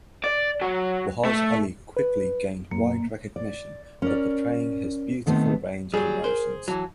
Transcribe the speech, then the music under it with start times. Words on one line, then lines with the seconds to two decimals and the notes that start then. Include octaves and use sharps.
Wahaj Ali quickly gained wide recognition for portraying his beautiful range of emotions.
0.24 D5
0.61 F#3
1.25 A3
1.97 B4
2.71 F#2 A#3
3.36 D5
4.02 C#4 A#4 D5
5.26 B2 D#3 A3 B3 C4
5.94 F#3 G3 G#4
6.24 A#4 C5
6.68 E3 F#3 A5